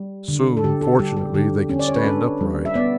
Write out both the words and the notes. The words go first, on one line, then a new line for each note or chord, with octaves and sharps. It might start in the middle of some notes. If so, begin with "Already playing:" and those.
Soon, fortunately, they could stand upright.
Already playing: G3
D3
A4
D3 G4
A4
G3 G4
G4
D3 G4
C#4
D5
C#5
B4
D4 A4
G3
E5
B3 D5